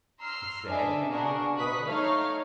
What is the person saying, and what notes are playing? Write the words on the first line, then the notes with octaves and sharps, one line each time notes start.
"He said?" resumed Porthos.
A#5 C6 E6 F6 C7
D4 A4 B4 D#5 E5 G#5
A#3 B3 D4 F#4 G#4 A#4
B5 C#6 D#6 F#6 B6
A3 D#4 C#5 F5 F6